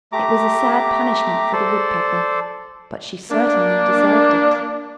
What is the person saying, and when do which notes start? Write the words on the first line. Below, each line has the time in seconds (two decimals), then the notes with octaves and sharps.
It was a sad punishment for the Woodpecker, but she certainly deserved it.
0.12 A3 G4 A#5 D6
1.53 A4 C5 D5
3.30 A#3 D4